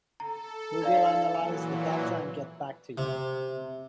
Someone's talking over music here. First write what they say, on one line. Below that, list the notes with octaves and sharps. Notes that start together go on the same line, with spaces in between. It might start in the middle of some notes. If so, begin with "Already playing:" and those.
We will analyze the data and get back to you.
A4 A#5
D#4 D5 F5
A#2 E3 F#3 G#5
C3